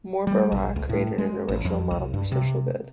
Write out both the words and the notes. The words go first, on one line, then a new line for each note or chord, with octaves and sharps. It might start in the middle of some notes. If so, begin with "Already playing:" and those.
Mor Barak created an original model for social good.
G3
A#1
C#2
A2
G#3
A1
F2
C2
G2
C3